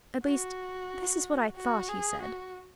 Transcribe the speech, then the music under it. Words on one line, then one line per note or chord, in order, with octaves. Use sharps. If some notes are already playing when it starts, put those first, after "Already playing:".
At least, this is what I thought he said.
F#4
F#4
G#4
F#4